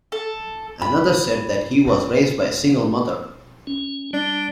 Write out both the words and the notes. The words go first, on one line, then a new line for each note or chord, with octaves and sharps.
Another said that he was raised by a single mother.
A4
F#2 F4 B5
C#4
G3 D4